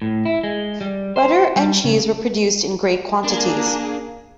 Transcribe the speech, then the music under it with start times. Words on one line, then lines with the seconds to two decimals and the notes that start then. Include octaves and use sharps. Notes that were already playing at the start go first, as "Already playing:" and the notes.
Butter and cheese were produced in great quantities.
0.02 A2
0.25 E4
0.44 G#3
0.81 G3
1.16 C5
1.56 G3
1.84 C#3
3.24 A#3 D4 G#4